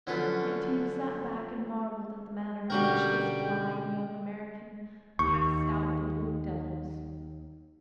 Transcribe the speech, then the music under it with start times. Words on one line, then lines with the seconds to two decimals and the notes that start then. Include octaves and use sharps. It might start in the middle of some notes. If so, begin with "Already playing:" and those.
Yetive sat back and marvelled at the manner in which this blithe young American cast out the "blue devils."
0.07 D3 F3 F#3 C#4 F4 B4
2.70 B2 D3 G3 C#4 F#4 A#4 G5
5.19 D#2 C#6